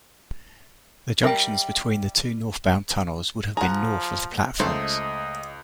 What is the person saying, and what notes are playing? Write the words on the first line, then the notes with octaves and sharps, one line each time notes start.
The junctions between the two northbound tunnels would have been north of the platforms.
G3 A#4 E5 G5
F3 G#4 F#5 A#5
C#2 A3 A4 C5 D#5